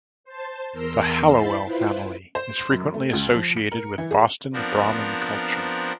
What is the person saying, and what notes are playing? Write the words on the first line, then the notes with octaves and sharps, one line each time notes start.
The Hallowell family is frequently associated with Boston Brahmin culture.
C5 A5
E2 A#4 A#5 C6 E6
E4 C5 B5 C6 A6
E4 F4 B4 C5
C5
F#2
A3
C#2
F3
C#7
A#4
E3
G#4
F3 B3 C4 D4 A#4